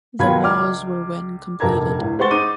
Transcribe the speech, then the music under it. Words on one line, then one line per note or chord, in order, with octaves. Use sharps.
The walls were when completed.
D#2 B2 D#3 F4 B5 G#6
C#2 D5 D6 F6
F1 A#1 A#4 A5 A#5 G#6
C#2 A2
G#3 C5 F#5 C#6 A6 G7
D#4 D6 D#7